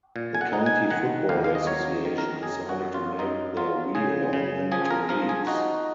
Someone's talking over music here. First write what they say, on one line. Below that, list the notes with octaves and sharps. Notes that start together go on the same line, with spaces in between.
The County Football Association decided to make the realignment to leagues.
A#2
G#5
F#5
D#4
G#5
D#3 F#5
D#2 F5
F5
D#5
F#3 C#5
D#3
A#4
F#2 G#4
F#4
F#2
F4
F#2 D#4
F#3 F4
C#3 G#4
C#3
F3 G#4
G#4
A#4
F3 A#4
G#4
D#4 F#4